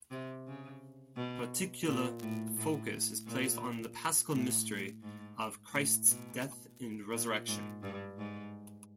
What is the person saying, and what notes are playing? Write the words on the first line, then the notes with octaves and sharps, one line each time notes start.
Particular focus is placed on the paschal mystery of Christ's death and resurrection.
C3
C#3
B2
A#2
A2
A2
A#2
A2
G#2
A2
B2
A#2
G#2
G2
G#2